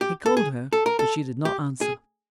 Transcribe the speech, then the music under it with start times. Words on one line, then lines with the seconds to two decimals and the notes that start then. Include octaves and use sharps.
He called her, but she did not answer.
0.01 G4
0.26 A4
0.37 G#4
0.73 A4
0.86 A#4
0.99 A4
1.45 G4
1.81 G#4